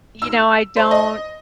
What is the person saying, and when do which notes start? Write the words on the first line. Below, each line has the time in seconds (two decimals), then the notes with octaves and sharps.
you know, I don't
0.22 E6
0.76 C5
0.91 D#5